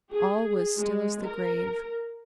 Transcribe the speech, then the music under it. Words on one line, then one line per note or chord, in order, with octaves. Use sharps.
All was still as the grave.
G#4
G#3
A#4